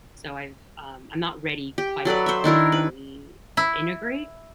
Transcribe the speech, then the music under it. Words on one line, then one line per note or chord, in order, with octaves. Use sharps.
so I've, um I'm not ready quite yet to, like, fully integrate,
G4
F#3 A4 B4 D5
C5 E5
D#3 D4 E4 A#4
B4
E4